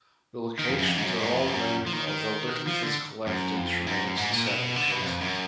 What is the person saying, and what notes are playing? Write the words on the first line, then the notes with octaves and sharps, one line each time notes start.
The locations are all known although little physical evidence remains in several cases.
D#3
F2
F#2
F2
G#2
F#2
G#2
F2
F#2
F3
D#3
D#3
F3
D3
F#2
F2
F#2
F#2
G#2
A#2
B2
D3
B2
F#2
F2
F#2